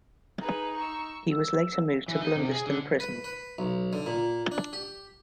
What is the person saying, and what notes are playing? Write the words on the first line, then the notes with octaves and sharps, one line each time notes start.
He was later moved to Blundeston Prison.
D#4 G#4 B4
C#6 E6
E6
E3
D#4
C3
G#4
D3
B4
B4
B1
D3
A#2
D4
G4